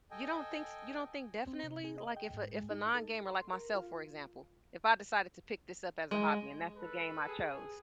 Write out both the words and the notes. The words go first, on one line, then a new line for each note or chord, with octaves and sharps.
You don't think s you don't think definitely? Like, if a if a non gamer like myself, for example, if I decided to pick this up as a hobby and that's the game I chose
A4 D#5 G5 G#5
C4
C3
G#4
D#5
G5
G#2
G#3
D#4
A4
C6
A#4
F4
G#3
A4 B4
G4 G#4